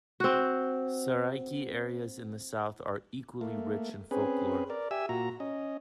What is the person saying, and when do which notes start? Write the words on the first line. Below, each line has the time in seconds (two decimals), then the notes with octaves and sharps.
Saraiki areas in the south are equally rich in folklore.
0.20 C4 F#4
3.41 A3 A#3
4.11 C4 C#4 G#4 B4
4.70 A#4 D5
4.91 G4 E5 G#5 E6
5.09 A#2 F#4 A#5
5.40 C#4 D#5